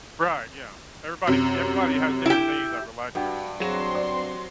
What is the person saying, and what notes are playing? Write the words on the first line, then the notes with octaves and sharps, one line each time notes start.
Right, yeah. Everybody everybody has different things that relax them.
F#2 C3
E4 G4
G2 F#4 F#5 G5
F#3 C4 F#4 G#4 C6 E7
D5